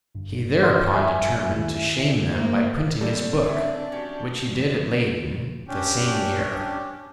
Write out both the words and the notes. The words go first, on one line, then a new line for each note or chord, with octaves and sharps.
He thereupon determined to shame them by printing his book, which he did at Leyden the same year.
G1 G2
F#5 C6 F6
E5 G#5
D2 D#3 E4
A#3 C5
G3 C4 D4 A4 C#5
C#4 E5 G5
C#4 F#4 G4
F2
C#4 D4 G4